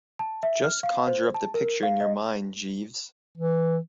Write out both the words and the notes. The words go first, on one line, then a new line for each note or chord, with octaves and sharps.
Just conjure up the picture in your mind, Jeeves.
A5
E5
F6
F5
C5
A5
A#4
F5
D#5
E3